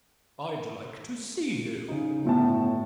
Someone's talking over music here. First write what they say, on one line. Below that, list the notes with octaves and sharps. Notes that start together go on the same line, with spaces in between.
"I'd like to see him."
C#3 D#4
G1 A2 B3 A5